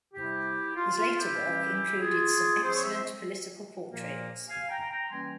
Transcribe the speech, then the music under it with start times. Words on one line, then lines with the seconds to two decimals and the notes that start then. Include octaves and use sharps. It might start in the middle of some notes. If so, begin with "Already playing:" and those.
His later work included some excellent political portraits.
0.14 C3 G3 C4 E4 G4
0.75 F4
0.97 F4
1.17 E4 G4
1.38 E3 G3 C#4
2.00 F4 G#4
2.62 F3 C4 G#4 C5
2.75 C#5
2.83 C5 E5
3.87 A#2 F3 A#3
4.49 F5 G#5
4.69 G5 A#5
4.90 G5 A#5
5.11 E3 G3 A#3 C#4 G#5 C6